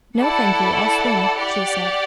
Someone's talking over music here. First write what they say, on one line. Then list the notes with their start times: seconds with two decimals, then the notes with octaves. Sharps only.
"No, thank you; I'll swim!" she said.
0.17 E4 A4 D5 F#5
1.37 G4 D5 F#5